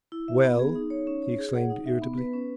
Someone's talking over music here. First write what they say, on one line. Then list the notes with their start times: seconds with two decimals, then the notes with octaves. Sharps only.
'Well?' he exclaimed irritably.
0.12 E4
0.28 E5
0.43 B3
0.59 G#4
0.75 D#4
0.90 C#5
1.07 C#4
1.22 C#5
1.39 G#4
1.55 F#5
1.70 D#4
1.86 E5
2.02 B3
2.18 B4
2.33 C#4